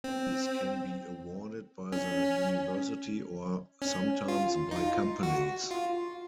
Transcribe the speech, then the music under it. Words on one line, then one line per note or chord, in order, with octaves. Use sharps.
These can be awarded by the university or, sometimes, by companies.
C4
C#4
C#4
F4
D#4
F4
F#4
F4